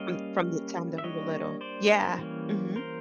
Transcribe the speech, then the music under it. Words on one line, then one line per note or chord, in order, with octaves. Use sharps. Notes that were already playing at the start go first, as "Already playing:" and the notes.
from from the time that we were little, yeah. Mhm.
Already playing: G3 A#3 C#4 D#5 F5
E5
G3 A#3 D4 C#5 D#5
C5 D5
E3 G3 A#3 C#4
A#4 C5